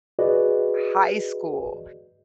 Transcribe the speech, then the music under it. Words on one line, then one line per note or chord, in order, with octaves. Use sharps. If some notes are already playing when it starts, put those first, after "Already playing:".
high school,
F#4 G#4 B4 D5 D#5